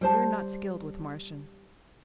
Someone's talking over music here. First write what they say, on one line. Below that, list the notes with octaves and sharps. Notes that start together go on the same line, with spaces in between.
"We are not skilled with Martian."
G3 C5 A5